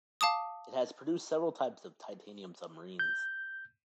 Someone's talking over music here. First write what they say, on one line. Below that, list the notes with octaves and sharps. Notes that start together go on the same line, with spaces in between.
It has produced several types of titanium submarines.
F5 A5 D6 D#6
G6